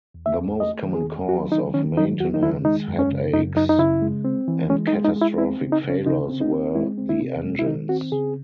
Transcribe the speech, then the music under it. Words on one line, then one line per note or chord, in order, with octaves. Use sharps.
The most common cause of maintenance headaches and catastrophic failures were the engines.
E2
E5
E2
A3 D#5
D#3
G#4
E2
F#3 F#4
D#3 D#4
D#3 C#4
F#3 D#4
E2 F#4
D#4
D#3 E4
G#3 D#4
F#2
C#4
C#3
F#2 D#4
F#2 D#4
D#4
C#3 E4
G#3
C4
E3
G#3 C#4
D#4
G#3
D#4
G#3
E4
C4 E4
C#3
D#4
C#3
C#4
C#3 D#4
C4
D#4
C4
G#3 E4
C4
E4
C3
G#3
E4
D#3 D#4
C4 F#4
C#3 G#4